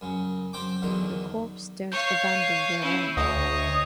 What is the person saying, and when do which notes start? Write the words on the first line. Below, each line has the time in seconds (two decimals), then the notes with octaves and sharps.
The Corps don't abandon their own.
0.01 F#2 C#3
0.53 F#2 C4 G5 D6
0.82 E2 D3 D#3 F#3
1.92 C#5 F5 C#6 G6
2.35 C7 D#7
2.82 C#4 E4
3.17 D2 C#5 D#5